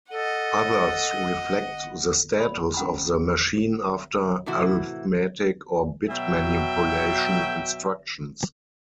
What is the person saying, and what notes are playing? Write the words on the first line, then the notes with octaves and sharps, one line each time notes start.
Others reflect the status of the machine after arithmetic or bit manipulation instructions.
A4 D#5 F#5
B5
C#4 F#5 A#5 B5
G#4
A2 C3 E3 E4 F#4
B2 F#3 E5 G5